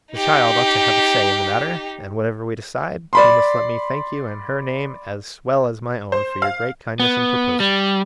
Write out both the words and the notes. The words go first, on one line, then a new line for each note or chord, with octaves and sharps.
"The child ought to have a say in the matter; and whatever we decide, you must let me thank you in her name as well as my own for your great kindness in proposing it."
D#4 G4
D5 B5 C6
C5
F5
B3
G3